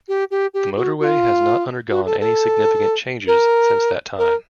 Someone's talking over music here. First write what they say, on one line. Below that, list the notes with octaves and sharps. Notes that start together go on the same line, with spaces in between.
The motorway has not undergone any significant changes since that time.
G4
G4
G4
F#4
F#4
F4
F#4
A4
A4
A#4
A#4